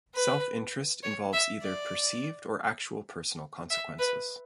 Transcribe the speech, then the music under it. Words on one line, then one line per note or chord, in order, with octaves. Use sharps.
Self-interest involves either perceived or actual personal consequences.
B4
C#5
E5
D5
E5
B4